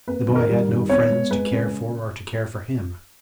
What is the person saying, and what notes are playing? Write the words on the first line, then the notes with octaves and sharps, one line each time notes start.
The boy had no friends to care for, or to care for him.
A#3 B4
D#3
A#4
G3
D#3
B3 C#5
G#3
G#3 B4
C#3